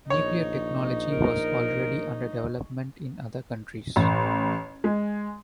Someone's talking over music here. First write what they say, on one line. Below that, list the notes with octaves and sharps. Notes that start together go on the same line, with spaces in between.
Nuclear technology was already under development in other countries.
A#1 D#4 C#5
A#4
A1
G#3